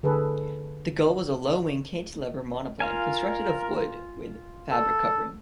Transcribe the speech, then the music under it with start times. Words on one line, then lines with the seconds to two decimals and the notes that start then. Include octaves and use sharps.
The Gull was a low-wing cantilever monoplane, constructed of wood with fabric covering.
0.03 D3 G#4 A4 B4
2.80 F4 A#4 F5 G#5
4.72 A4